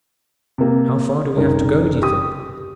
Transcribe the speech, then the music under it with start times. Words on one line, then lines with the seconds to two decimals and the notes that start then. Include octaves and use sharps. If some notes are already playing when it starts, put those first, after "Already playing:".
"How far do we have to go do you think?"
0.58 C3 A#3
1.36 F#1 C2 D#4 A#4
2.02 G4 D#6